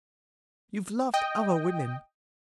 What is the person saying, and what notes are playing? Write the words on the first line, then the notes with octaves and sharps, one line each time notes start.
You've loved other women.
D#5 G5